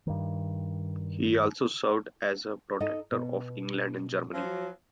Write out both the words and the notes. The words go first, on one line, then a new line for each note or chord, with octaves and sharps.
He also served as the protector of England and Germany.
G2 D#3
D#4 A4 D#5
B2
F3 F#3